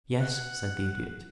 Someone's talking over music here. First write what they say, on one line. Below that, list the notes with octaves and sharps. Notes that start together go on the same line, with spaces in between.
"Yes," said the Idiot.
F#5